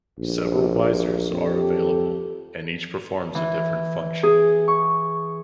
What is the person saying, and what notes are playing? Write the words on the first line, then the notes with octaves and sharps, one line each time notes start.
Several visors are available, and each performs a different function.
A#1
F2 G4 A4
E3
G#4
C#6